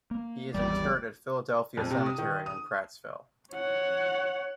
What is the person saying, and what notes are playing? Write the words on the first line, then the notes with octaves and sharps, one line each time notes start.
He is interred at Philadelphia Cemetery in Prattsville.
A#3
G#1 E2 G3 D5
F2
C3
D#6
D#3
D#6
C#5 F#5